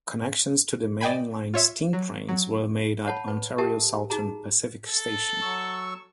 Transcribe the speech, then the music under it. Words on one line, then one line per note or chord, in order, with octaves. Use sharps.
Connections to main line steam trains were made at Ontario Southern Pacific Station.
D5 D#5 G5 G#5 B5
F4 C#5 E5
F#3
F#3
C#5 F#5 A5 B5
B4
G4 A4 A#4 E5 G5 A5
D#4 F#4 G#4 A#5
A4
F#3 C#6 E6